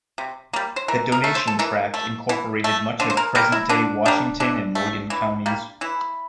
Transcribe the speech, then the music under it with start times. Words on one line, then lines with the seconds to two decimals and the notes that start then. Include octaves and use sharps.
The Donation Tract incorporated much of present-day Washington and Morgan counties.
0.18 C3
0.53 G3 A#3
0.76 C5
0.88 E3 A#4
1.12 A#4
1.24 A3
1.35 C5
1.47 A4
1.59 E3 A#4
1.94 A3
2.29 E3
2.64 A3
3.00 D3 C5
3.10 C5
3.17 A#4
3.35 G3 A#3 A#4
3.52 E4
3.69 D3 D4
4.06 G3 A#3 D4
4.40 E3 D4
4.75 A3
5.10 E3
5.46 G3 A#3
5.81 E3 E4